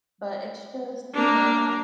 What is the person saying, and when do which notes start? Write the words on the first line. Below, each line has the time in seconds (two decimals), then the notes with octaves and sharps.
But it's just, you know,
1.14 A#3 D4